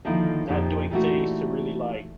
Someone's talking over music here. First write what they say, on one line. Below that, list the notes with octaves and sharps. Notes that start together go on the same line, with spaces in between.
not doing things to really, like,
D3 D#3 F3 A#3 D#4 E4
F2 A#2 F3 D#4 G4
A#2 E3 G3 A3 D#4 F#4